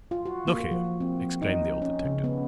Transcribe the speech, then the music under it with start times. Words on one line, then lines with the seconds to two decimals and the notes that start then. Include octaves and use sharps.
"Look here!" exclaimed the old detective.
0.11 F4
0.26 F#4
0.47 A#3
0.71 F3
1.00 C4
1.42 D#4
1.82 C#4
2.05 C#3
2.24 B3